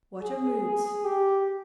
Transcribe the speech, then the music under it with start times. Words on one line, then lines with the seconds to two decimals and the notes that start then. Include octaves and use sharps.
What are moods?
0.22 G#4
1.05 G4